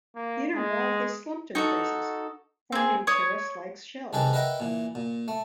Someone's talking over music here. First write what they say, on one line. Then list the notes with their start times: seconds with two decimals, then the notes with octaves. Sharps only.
The inner wall has slumped in places, forming terrace-like shelves.
0.16 A#3
0.54 G#3
1.55 D#4 F#4 A4
2.72 C4 G#4
3.07 C#5 D#6
4.13 C2 D#3 G#4 A4 B4 G5
4.33 A#4 B4 D#5 E5 F#5 G5
4.60 A#2 E3
4.95 A#2
5.28 A3